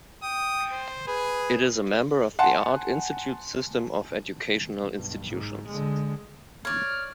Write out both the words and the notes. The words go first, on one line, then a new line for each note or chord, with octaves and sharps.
It is a member of The Art Institutes system of educational institutions.
G5 D#6
C5
G#4 B4
F#5 G#5 A5 C6
B1 G2
G#2
D3 G#3
C#5 D5 F6